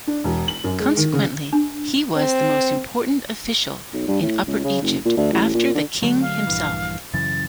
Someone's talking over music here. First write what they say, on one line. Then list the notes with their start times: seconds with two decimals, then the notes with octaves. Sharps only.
Consequently, he was the most important official in Upper Egypt after the king himself.
0.07 D4
0.24 E1
0.48 F#7
0.64 F#2
0.80 G#3
0.97 D#3
1.13 C#3
1.53 D4
2.17 C4
3.93 B1
4.08 G2
4.22 A2
4.47 C#2
4.64 C#3
4.81 F#1
5.05 A#2
5.17 D2
5.32 A1
5.54 A#2
5.74 D3
6.02 D3 F#3 A3
6.21 F5
6.47 A#1 G2 E3
7.14 F#2 C#3 E3 A6